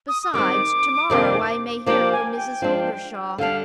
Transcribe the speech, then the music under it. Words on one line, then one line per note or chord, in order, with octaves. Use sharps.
Besides, to-morrow I may hear from Mrs. Oldershaw.
D#6
D#6
D#3 G3 C4 D6
F2 C3 D#3 A#3 D4
F3 A#3 D4 G4 D6
G#5
G#5
G5
F3 G#3 D4
D3 G3 D4 F5